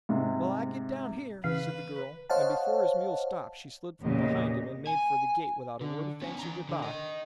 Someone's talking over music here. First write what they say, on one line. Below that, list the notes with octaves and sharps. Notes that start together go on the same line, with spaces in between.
"Well, I git down here," said the girl, and before his mule stopped she slid from behind him and made for the gate without a word of thanks or good-by.
G#2 C3
C#3 E3 B4 F5
C5 C#5 D#5 F5 F#5 A5
E2 A#2 C#3 A#3 G4 D#5
G#5
D3
B3 C#4
E3 A#5
D3
A#4 D#5